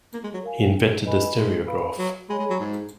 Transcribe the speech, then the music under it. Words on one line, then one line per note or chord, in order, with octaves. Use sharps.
He invented the Stereograph.
A#3
G#3
F#3
A#4 F5 G#5
B4 D#5 G#5 B5
G#3
B4 F5 B5
F#3
G#3 G#4 C#5 G#5 B5
G#3
F#3
G#2